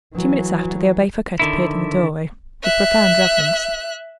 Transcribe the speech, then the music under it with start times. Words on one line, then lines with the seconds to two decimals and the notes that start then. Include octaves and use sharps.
Two minutes after, the Abbe Fouquet appeared in the doorway, with profound reverence.
0.14 E3 F#3
1.40 D3 D#3 E4
2.63 E5 F#6